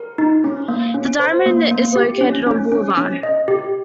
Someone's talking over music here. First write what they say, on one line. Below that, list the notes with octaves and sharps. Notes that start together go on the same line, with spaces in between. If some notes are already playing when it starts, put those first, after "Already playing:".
The Diamond is located on Boulevard.
Already playing: A#4
D#4
C#4
A#3
C#4
C5
A#3
A#3
G4
C#4
C#4
C#4
C#4
D#5
G4